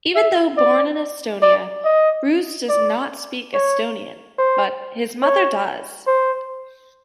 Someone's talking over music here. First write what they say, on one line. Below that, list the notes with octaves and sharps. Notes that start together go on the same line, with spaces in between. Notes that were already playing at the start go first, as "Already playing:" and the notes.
Even though born in Estonia, Roos does not speak Estonian, but his mother does.
E5
D5
D5
D#5
D5
C#5
C5
C#5
C5